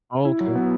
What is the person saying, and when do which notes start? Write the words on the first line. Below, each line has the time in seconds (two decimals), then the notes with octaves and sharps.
Oh, okay.
0.25 E4
0.40 F#3
0.55 B3